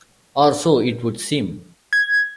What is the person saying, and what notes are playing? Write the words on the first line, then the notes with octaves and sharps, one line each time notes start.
Or so it would seem.
G#6